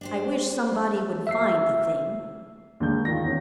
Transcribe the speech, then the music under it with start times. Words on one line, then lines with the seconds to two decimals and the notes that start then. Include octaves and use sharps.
I wish somebody would find the thing.
0.01 D4 G4 C5
1.27 E5 E6 C7
2.80 D#2 D3 G#3 G6
3.05 D#3 F4 A#6
3.25 E2 C#4